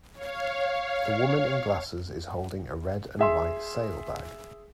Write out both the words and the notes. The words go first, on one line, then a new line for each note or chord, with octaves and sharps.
The woman in glasses is holding a red and white sale bag.
C#5 F5
G#4 E5 C6